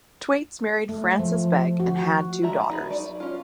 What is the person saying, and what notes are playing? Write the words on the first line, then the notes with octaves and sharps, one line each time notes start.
Twaits married Frances Begg and had two daughters.
A3
F3
F#4
G#3 F#4 E5 A#5
D4 D#4 G#4 B5
F#3 D5
C#4 F4